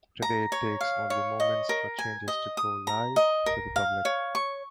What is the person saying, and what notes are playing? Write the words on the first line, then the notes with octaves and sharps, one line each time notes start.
Today it takes only moments for changes to go live to the public.
A#5
C#5
F5
C#5
D#5
A#4
G#5
D#5
D#6
A#5
D#5
A#4
F5
C#5
C#6